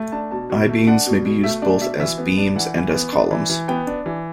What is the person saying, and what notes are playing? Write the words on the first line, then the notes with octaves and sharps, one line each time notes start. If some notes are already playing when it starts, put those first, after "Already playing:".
I-beams may be used both as beams and as columns.
Already playing: A3
D4 A5
B2 A5
B2
A3
D4 F#5
B2
B2
A3 E5
D4 D5
B2 E5
E3 E5
B3
D4
E3 F#5
E3
B3
D4
E3
E3
B3 G5
D4
E3